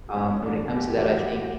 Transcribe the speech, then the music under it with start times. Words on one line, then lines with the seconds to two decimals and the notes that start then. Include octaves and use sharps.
um, when it comes to that, I think
0.16 G1 C#4
0.30 C#4
0.42 G2 E3 D4
0.55 D4
0.68 G1 F#4
0.76 G4
0.83 F#4
0.89 G4
0.95 G2 E3 F#4
1.03 G4
1.11 F#4
1.18 G4
1.21 A1 F#4
1.32 G4
1.38 F#4